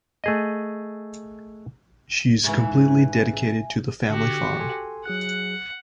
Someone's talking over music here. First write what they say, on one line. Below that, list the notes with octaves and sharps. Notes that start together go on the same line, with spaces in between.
She is completely dedicated to the family farm.
A3 G#4 D#5
G#2 C#3 E3 E5 G#5
D3 F#4 G4
A4 G#5 C6
F#3 G#4 F#5 F#6